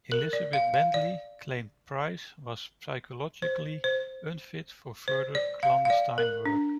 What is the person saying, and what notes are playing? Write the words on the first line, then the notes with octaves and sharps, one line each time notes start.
Elizabeth Bentley claimed Price was psychologically unfit for further clandestine work.
A#4
D5
F5
F5
D5
C5
C5
C5
D5
F5
F5
D5
A#4
D4